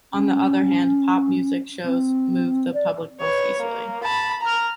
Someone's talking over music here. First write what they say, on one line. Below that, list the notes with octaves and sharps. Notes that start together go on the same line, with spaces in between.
On the other hand, pop music shows move the public most easily.
C#4
C4
D5
B4 C#5
A#3
A5 B5
A#5 F6